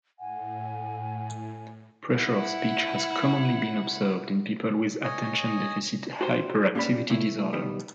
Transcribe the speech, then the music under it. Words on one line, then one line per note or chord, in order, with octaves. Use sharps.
Pressure of speech has commonly been observed in people with attention deficit hyperactivity disorder.
A2 F#5 G#5
E4 F#5
C#5 D#5 G#5 D#6
F#4 G4 C5
G2 A#3 C#4 G4 D5 B5
C3 A3 E4
B1 D#3 G3 B3